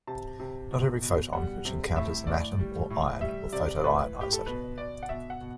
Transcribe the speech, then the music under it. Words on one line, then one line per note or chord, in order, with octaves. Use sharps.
Not every photon which encounters an atom or ion will photoionize it.
C3 A5
C3
B2
B2
G3 F#5
C3
A2 E5
A2 D5
G3
A2
G3 E5
C3 D5
A2 B4
A2
G4
A4
B2 B4
B2 D5
F#5
B2 E5
F#5
B2